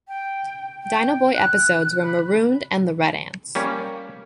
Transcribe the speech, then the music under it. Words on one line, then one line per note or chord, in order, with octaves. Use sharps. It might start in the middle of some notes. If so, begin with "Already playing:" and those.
Dino Boy episodes were "Marooned" and "The Red Ants".
G5
G5
F#6
B5
G3 A#3 C#4